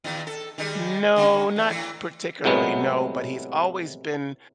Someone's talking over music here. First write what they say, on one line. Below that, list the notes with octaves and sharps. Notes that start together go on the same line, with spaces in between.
No, not particularly, no, but he's always been
E2 A#2 D#3
A4
D#3 G3 G#3
D3 A#3 C#4
E2
A2 E3
A2 C3 F#3 G#3 B3